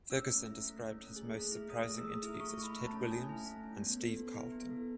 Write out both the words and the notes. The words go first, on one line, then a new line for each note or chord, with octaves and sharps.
Ferguson described his most surprising interviews as Ted Williams and Steve Carlton.
C#4 E6
A3
E4
A3
C#4
A3
G#4
A3
E4
A3 D#6
G#4
E6
A3 D#6
E4
D#6
A3 C#6
E4
B5
A3
A5
C#4
A3 G#5
E4
A3
C#4
B3
A4
B3
E4
B3
A4